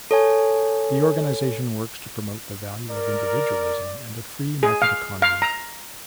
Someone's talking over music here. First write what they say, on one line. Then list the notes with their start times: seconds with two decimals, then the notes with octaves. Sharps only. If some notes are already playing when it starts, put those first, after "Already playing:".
The organization works to promote the value of individualism and a free market economy.
0.11 A4 C#5 G#5
2.91 A#4 D5
4.63 G#4
4.82 F5
5.22 F5
5.42 A#5